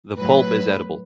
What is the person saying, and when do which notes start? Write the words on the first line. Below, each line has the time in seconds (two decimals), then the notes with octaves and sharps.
The pulp is edible.
0.17 A2 F#3 B4